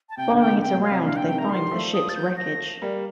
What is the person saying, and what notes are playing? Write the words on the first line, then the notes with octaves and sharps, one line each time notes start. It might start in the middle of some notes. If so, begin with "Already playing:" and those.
Following it around they find the ship's wreckage.
A5
C3 G5
A#2 D3
G5
C3
D3
C3 G5
A#2
F5
C3
A#2 D3 F5
G5
D3
C3 D#3 G5
A3 A#5
D#3 G3 C6
F3 A3
D#6
A6
G6
A#6
G3 A#3